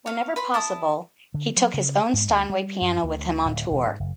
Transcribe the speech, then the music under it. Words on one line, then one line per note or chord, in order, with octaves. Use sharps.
Whenever possible he took his own Steinway piano with him on tour.
C#5 F5
B4 B5 C6
E4 A5 D#6
D3
F#3
C#3
G#2
D2
G3
F#2
D2
D1
E1
G#2
F#1